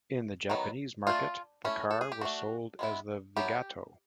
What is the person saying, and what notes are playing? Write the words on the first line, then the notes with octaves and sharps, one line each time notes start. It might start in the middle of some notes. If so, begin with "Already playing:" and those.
In the Japanese market, the car was sold as the Vigato.
D#3 F#3 B3
A3 D4 F4
A3 C#4 E4
A4
G#4
G4
A3 D4 F#4
G#3 B3 E4
F#3 B3 E4 G4